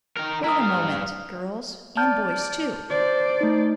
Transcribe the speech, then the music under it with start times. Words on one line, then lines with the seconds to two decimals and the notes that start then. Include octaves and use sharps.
Wait a moment, girls, and boys too!
0.17 D#4 A#4
0.44 E4 A#4 A#5 D#6
0.61 G2 F5
1.97 D5 A5 F6 G6
2.90 C5 D5
3.41 A3 D#4